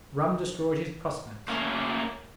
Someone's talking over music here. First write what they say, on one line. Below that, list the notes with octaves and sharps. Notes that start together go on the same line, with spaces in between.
Rum destroyed his prospects.
A3 A#3 C#4 A#4